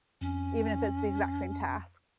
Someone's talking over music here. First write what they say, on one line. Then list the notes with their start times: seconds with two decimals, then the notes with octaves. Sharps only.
even if it's the exact same task.
0.21 F2 C#4